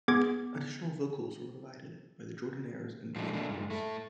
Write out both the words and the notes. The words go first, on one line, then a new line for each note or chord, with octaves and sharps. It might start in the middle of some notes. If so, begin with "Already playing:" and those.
Additional vocals were provided by The Jordanaires and The Amigos.
B3 G#4 D6 G#6
A2 F3 G#3 A3 D4 F#4
B2 A3 A#3 D4
G2 G#3
A3 E4 A4